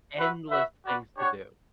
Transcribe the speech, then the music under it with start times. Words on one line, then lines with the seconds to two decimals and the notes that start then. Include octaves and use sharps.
Endless things to do.
0.16 F#4 B4 E5
0.50 F#4 B4 E5
0.83 F#4 B4 D5
1.16 D4 G4 C#5 F#5